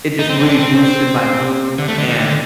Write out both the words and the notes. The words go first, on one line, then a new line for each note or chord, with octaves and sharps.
It just really boosted my mood, and
D#4
C4
C4
D4
C4
D3
A3
D3
D#3
D3